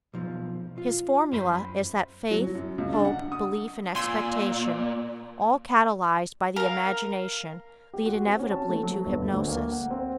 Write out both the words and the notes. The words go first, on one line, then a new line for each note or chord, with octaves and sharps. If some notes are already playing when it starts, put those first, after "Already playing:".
His formula is that faith, hope, belief and expectation, all catalyzed by the imagination, lead inevitably to hypnosis.
B1 F3
F4
F#2 C5 B5
F#3
F#2
C#2
D4
F#5
D#6
A#2 G#5 C6 E6
A#4 F5
G4
F#4
C4
C#4
A5
A3
F#3
G1
D2
A#3
F#5
C4